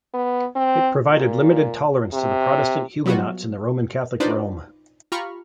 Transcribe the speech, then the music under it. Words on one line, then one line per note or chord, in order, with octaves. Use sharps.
It provided limited tolerance to the Protestant Huguenots in the Roman Catholic realm.
B3
C4
A#2
C3
F#3 G3 B3 F4 F#4
D4 D#4 F4 B4 C5 D5
F4 G4 A#5 B5 C#6 F6